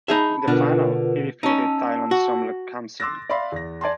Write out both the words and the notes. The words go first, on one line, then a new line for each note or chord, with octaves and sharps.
In the final he defeated Thailand's Somluck Kamsing.
D#4 G#4 E5 A5 B5
B2 D3 D4 F4 A#4 B4
C#4 D#4 A5 E6
F#4
C6 D6 E6 F#6 A6 A#6
D5 E5 F5 B5 C6
E2 A#6
D5 G#5 A5 C6